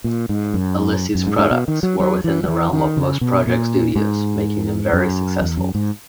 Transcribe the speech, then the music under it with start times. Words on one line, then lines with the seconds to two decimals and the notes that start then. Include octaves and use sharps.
Alesis' products were within the realm of most project studios, making them very successful.
0.04 A#2
0.29 G#2
0.54 F#2
1.15 F#2
1.27 G#2
1.39 G#2
1.51 B2
1.68 D#3
1.83 F#3
2.00 F#3
2.24 E3
2.43 F#3
2.48 E3
2.73 D#3
2.97 C#3
3.21 B2
3.47 A#2
3.96 G#2
4.93 F#2
5.41 E2
5.57 F#2
5.75 G#2